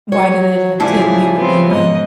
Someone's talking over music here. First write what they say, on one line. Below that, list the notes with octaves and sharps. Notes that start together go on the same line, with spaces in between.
why did it t take me leaving
F#3 C#5
A1 C#3 F3 G3 E4 F#4 G#4 A5
B3 C4
G#2 B2 D#5